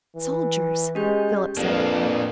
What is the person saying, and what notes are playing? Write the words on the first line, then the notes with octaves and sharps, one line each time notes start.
"Soldiers!" Philip said.
E3
G#3 C#4 G4 G6
F2 A#3 D4 A4 B4